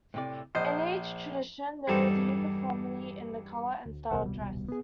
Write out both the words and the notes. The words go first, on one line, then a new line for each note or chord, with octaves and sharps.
In each tradition there is uniformity in the colour and style of dress.
A2 C3 D5
A#1 C5 D#5
E2 G2 G3 D#4 A4
D2
D#1 C2 B2 A#4 C5 F#5
G3
B3 G#4